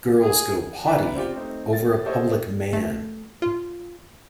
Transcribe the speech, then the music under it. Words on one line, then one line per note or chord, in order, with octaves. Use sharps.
Girls go potty over a public man.
G#4
B4 D5 E5 F#5 A#5 B5
C4 D4 F4 G4 G5
A3 C4 D#4
A6
G4 A4 C5 C#5 D#5
A3
F4